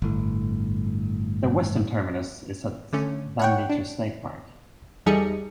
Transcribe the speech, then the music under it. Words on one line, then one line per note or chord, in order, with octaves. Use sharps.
The western terminus is at Van Meter State Park.
G1 A2
D3 A3 C#4
C#5 F#5 G5
D4
E2 G3 D#4 G#4 A4 C#7